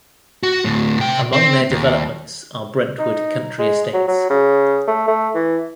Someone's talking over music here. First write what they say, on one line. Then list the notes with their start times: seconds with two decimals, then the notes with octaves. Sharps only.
Among their developments are Brentwood Country Estates.
0.43 F#4
0.64 D2 A2
0.99 C3 G5
1.33 C4
1.71 D#2
2.99 D#4
3.59 G#3
3.93 F#3
4.08 F#3
4.30 C#3
4.87 A3
5.08 A3
5.35 E3